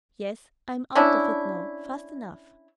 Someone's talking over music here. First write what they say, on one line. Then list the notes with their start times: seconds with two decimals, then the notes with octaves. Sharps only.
"Yes--I'm out of it now fast enough."
0.95 C#4 D4 E4